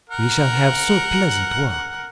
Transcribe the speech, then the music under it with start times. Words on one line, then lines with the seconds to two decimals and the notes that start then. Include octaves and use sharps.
We shall have so pleasant walk.'
0.09 A#4 F#5